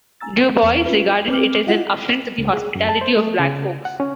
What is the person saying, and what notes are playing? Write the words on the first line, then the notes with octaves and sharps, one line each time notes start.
Du Bois, regarded it as an "affront to the hospitality of black folks".
G#5 A#5 E6 A6
C6
E2
C#4 F4 B4
C4 B4 D6 F6
E4 F4 D#5 E5 F#5
C#2
G#4
F#2
A5
C5
A3
C#3
F#5
C#4